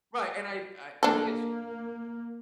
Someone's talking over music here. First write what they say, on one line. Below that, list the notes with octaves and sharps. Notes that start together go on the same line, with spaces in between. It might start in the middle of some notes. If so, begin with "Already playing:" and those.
Right, and I I I think it's
A#3 D4 A4